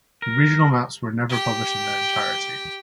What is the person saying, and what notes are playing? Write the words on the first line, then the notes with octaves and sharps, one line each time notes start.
The regional maps were never published in their entirety.
A#4
G4 G5